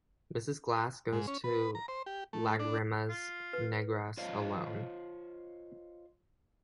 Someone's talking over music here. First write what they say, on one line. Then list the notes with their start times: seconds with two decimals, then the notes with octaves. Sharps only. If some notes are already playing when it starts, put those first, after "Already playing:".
Mrs. Glass goes to Lagrimas Negras alone.
1.13 G#2
1.28 C#4
1.44 B4
1.75 A#5
1.88 C5
2.06 G4
2.33 A3
2.59 D4
3.09 F4
3.53 B4
4.17 F4 C5 C#5 D#5 F5